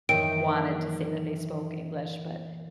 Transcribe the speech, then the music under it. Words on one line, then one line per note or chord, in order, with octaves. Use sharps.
wanted to say that they spoke English, but
F#2 A#2 D#3 E3 A#4 C#5 G5 D7